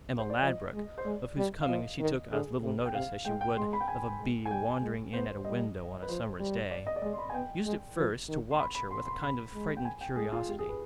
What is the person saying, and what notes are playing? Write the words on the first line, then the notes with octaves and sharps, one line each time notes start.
Emma Ladbruk, of whose coming she took as little notice as she would of a bee wandering in at a window on a summer’s day, used at first to watch her with a kind of frightened curiosity.
C5
D5
F3 D#5
G#3
C5
G#3 D5
G3
F5
F3 D#5
D#3
D3 G#4
C3
G5
C3 F5
G#3 G5
G5
G#3 C6
B5
G5
G#5
G#3
G#5
G3 G5
G#3
B3 C5
G3 D#5
B4
F3 C5
G3
D5
D#5
D5
G#3 D#5
C6
B5
G#5
B3 G5
G#3
F3
D#3
C6
B5
B5
C6
C6
B5
G#3
G5
G#5
G5
G#3 G#4
F4
G#3 G4
G#4
B4